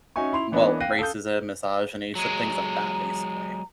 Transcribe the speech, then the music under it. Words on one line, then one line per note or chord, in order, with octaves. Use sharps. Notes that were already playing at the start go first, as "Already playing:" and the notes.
well, racism, misogyny, so things like that basically.
C#4 D#4 F#4 E5 G#5 C#6
E4 C6 F7
E3 A#3 B3 D4 C#5 D#5
F5 G5 F#6 A#6 C7 D#7
A4 F5 D#6 G6
F#3 G#3 A#5